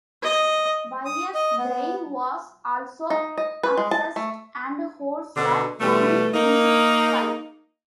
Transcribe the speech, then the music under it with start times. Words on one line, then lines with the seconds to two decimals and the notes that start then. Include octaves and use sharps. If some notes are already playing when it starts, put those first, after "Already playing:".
Byers' brain was also abscessed, and holes were forming in his skull.
0.23 D#5
1.05 D#6
1.35 D#5
1.58 B3
3.10 D#4
3.38 D#5
3.63 B4
3.77 G#3
3.91 A5
4.16 A3
5.37 B2 D3
5.80 B2 E3 G3 A3
6.34 A#3 D#4